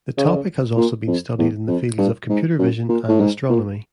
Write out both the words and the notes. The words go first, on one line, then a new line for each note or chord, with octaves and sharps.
The topic has also been studied in the fields of computer vision and astronomy.
C#3
D3
C#3
A#2
F2
E2
F2
G2
G#2
F#2
A#2
A2
G#2
A#2